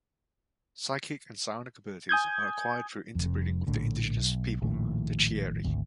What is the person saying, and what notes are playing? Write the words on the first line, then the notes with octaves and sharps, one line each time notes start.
Psychic and psionic abilities are acquired through interbreeding with the indigenous people, the "Chieri".
G#5 D#6 G6 G#6
F1 F2
A#1 A2 D3
B1
D#1 A#1 D#2 A2
G#1 D2